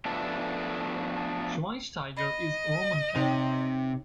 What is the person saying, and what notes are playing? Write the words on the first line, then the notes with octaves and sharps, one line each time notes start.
Schweinsteiger is Roman Catholic.
F3 A3 B3 D4 A4
D#5 B5 A#6
C3 D#4 C#5 G5